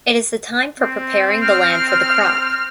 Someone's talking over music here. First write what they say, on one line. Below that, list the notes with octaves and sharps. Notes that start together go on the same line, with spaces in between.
It is the time for preparing the land for the crop.
C4
F6